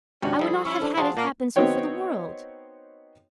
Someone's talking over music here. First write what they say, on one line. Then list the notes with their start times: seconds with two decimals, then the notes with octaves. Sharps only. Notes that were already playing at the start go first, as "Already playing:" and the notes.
I would not have had it happen so for the world.
0.22 G#1 C#2 C3 C#4 D4 F#4 G5
0.39 F3 G3 E4 G#4 A4
0.65 C#4 E4 C#6
0.80 D4 A4 C5
0.97 F3 D4 F4 F#4 G#4 F#5 A5
1.17 A#2 A#3
1.56 B3 C4 D#4 F#4 C#5 G5